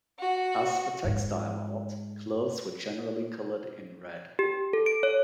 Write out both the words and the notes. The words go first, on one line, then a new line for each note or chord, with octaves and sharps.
As for textile art, clothes were generally colored in red.
F#4
G#2 G#3
G4
A4
D7
C#5